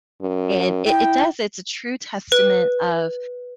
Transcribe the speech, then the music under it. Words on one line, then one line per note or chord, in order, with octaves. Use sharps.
And it it does, it's a true testament of
F#2
E4 G5
B4